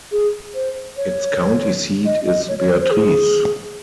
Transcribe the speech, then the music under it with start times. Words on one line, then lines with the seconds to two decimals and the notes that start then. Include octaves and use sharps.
Its county seat is Beatrice.
0.12 G#4
0.55 C5
0.97 C#5
2.05 D#5
2.26 D#5
2.48 C#5
2.59 C#5
2.69 C5
2.80 C5
2.91 G#4